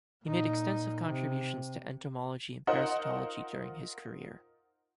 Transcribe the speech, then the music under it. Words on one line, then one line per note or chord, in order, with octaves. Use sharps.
He made extensive contributions to entomology and parasitology during his career.
A#2 D#4
C3
D#4 F4 A#4 C5 D#5 F#5